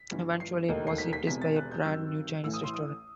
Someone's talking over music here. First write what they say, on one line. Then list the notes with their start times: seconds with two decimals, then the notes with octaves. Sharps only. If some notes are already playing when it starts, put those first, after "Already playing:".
Eventually it was replaced by a brand new Chinese restaurant.
Already playing: B6
0.11 G1 G2 E3
0.40 C7
0.69 E1 D#2 D#3 A3 D#4
0.87 C7
0.98 B6
1.13 B6
1.27 E1 E2 C3 B6
1.41 A6
1.56 F#6
1.71 G6
1.85 G2 D#3 F#3 C4 D#4 E6
2.44 A1 A2 E3 E6
2.54 D#6
2.63 C6
2.74 D#6